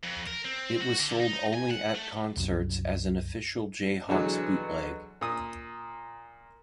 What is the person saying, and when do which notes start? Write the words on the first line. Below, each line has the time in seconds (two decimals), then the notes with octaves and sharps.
It was sold only at concerts as an Official Jayhawks Bootleg.
0.04 F2
0.27 A#4
0.45 C4
0.80 F#4
1.00 D3
1.20 D#4
1.54 G#5
1.70 F#5
1.95 A3
2.37 C2 F#2
4.09 B2 D3 E3 F#3 G#3
5.21 A#2 D#6